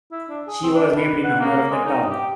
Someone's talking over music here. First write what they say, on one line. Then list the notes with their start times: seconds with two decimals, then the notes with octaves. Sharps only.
She was named in honour of the town.
0.12 E4
0.30 D4
0.47 G#4
0.63 C4
0.75 D4
0.96 B4
1.24 F#5
1.40 A#3
1.71 G#3
1.85 D#4
2.10 G4